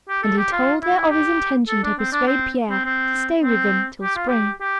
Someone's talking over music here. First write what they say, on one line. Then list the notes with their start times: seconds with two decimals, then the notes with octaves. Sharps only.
And he told her of his intention to persuade Pierre to stay with them till spring.
0.09 G4
0.23 A4
0.38 G4
0.52 F4
0.82 E4
0.97 E4
1.10 G4
1.69 A4
1.84 D4
1.99 C4
2.12 D4
2.27 C4
2.71 C4
2.85 C4
3.44 C4
4.03 G4
4.16 F4
4.28 G4
4.61 G4